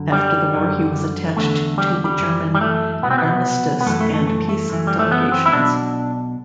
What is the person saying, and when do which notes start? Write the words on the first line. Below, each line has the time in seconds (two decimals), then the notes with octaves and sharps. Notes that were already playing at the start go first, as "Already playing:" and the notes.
After the war he was attached to the German Armistice and Peace delegations.
Already playing: F#2 D3
0.12 G3
0.53 F#2 D3
1.36 E2 D3 A3
1.78 G3
2.04 G3
2.20 F#2 E3
2.55 G3
2.61 A3
3.02 C2 B2 B3
3.11 C4
3.18 B3
3.81 B3
3.86 F#2 E3 A3
4.01 A3
4.14 A3
4.27 A3
4.49 A3
4.70 F#2 E3
4.87 G3
4.99 A3
5.11 B3
5.32 C4
5.46 E4
5.52 B1 B2 D4